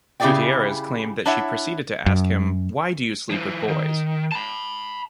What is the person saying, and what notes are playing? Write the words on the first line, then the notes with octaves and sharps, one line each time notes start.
Gutierrez claimed that she proceeded to ask him Why do you sleep with boys?
C#3 E4 G4 G#4 D5 G5
D4 E4 C#5 E5 F#5
F#2
F3 E4
D#3
A5 B5